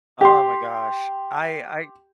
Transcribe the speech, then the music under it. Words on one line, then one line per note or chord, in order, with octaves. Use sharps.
Oh, my gosh. I I
G4 C6